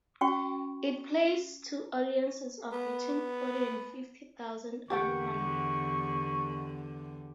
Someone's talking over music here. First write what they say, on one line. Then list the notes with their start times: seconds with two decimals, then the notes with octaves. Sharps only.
It plays to audiences of between forty and fifty thousand annually.
0.21 C#4 F#4 G5 C#6
2.73 B3
4.90 E2 D3 G4 F#5 G5 C#6